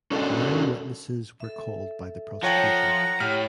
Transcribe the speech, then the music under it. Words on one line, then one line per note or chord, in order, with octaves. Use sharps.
Nine witnesses were called by the prosecution.
C#4 D4 F#4 A4 A#4
A4 E5
F3 F4 C#5 F#5 G5 A#5
A2 G4 C#5 G5 F6